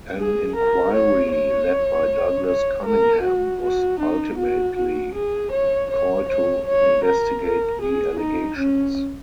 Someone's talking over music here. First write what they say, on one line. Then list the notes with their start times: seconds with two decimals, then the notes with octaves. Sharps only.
An inquiry led by Douglas Cunningham was ultimately called to investigate the allegations.
0.18 G#4
0.56 A#4
0.94 C#5
1.32 C#5
2.47 C#5
2.85 A#4
3.23 F#4
3.61 F#4
3.99 D#4
4.38 F#4
4.76 F#4
5.14 G#4
5.52 C#5
5.90 C#5
6.29 C#5
6.67 C#5
7.05 A#4
7.43 A#4
7.81 G#4
8.19 D#4
8.57 C#4